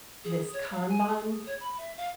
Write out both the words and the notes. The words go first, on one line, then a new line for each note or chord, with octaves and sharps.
this Kanban,
G#4
C#5
F5
G#5
G#4
C#5
B5
E5
F5